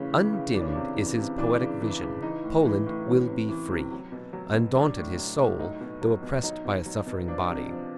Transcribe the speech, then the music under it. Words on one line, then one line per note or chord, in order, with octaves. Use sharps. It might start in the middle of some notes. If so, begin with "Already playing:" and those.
Undimmed is his poetic vision--Poland will be free!--undaunted his soul, though oppressed by a suffering body.
Already playing: A2 C#3 E3 C#4
E3
C#3
E3 D4
C#4
D4
C3
E3
C3
E3 D4
C#3
E3
C#3
E3 D#4
A2
E3
A2
E3 C#4
C3
E3
C3
F#3
B2
F#3
B2
F#3 D4
A2
F#3
A2
F#3 D#4
B2
F#3
B2
F#3 D#4
B2
F#3
B2
F3 D4
C3
F3